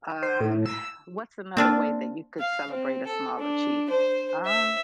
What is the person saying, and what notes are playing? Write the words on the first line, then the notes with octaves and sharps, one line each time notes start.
Um, what's another way that you could celebrate a small achievement? Um
C5
A2
E6
A#3 C4 D4 F4
F5
C4
A4
D4
C5
E5